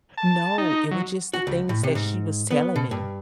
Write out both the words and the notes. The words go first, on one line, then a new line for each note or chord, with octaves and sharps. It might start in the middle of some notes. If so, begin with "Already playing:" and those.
No. It was just the things that she was telling me.
A5
D#4
F#3
F#4
C#2
A2
C3
G#2
B3
B2
G2